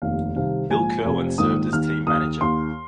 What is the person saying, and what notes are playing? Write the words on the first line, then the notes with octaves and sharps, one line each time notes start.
Bill Kerwin served as team manager.
F1 D#2 D#3 F5
C2 C3 D#3 F5
A#1 G#2 F3 G#5
F1 F2 C3 F3
A#1 G#2 D#3 D#6
D#2 D#3 F6
D#2 D#3 D#6
D#2 D#3 C6